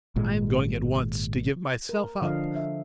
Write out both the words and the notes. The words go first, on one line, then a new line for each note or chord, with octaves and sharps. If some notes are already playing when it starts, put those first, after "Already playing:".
I am going at once to give myself up.
G#1 A#2 G#3
A#4
D3 F3 D4 D#5 F5
E5